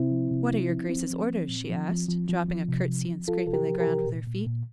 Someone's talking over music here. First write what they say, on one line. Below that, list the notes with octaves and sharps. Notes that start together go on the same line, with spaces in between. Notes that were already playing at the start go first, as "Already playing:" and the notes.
"What are your graces' orders?" she asked, dropping a curtsy and scraping the ground with her feet.
Already playing: C3 C4 E4
F3
C3
F3
F3
F3 C4
F3
F3
A#2
F3
F3
F3
F3
F3
C3
F3
F3
F3 F4 A4
C3 A4
G4 A#4
F3
G4 A#4
C3
A#2
A#2
A#2